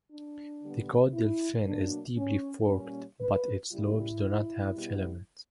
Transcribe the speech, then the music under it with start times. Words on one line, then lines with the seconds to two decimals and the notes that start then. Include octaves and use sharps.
The caudal fin is deeply forked but its lobes do not have filaments.
0.10 D4
0.62 D3 G3 B3
1.13 E4
1.64 B2 F#3 A#3 D4
2.16 C#4
2.68 A#2 G3 A#3 C#4
3.19 B4
3.71 C#3 G3 A#3 E4
4.74 B2 G3 B3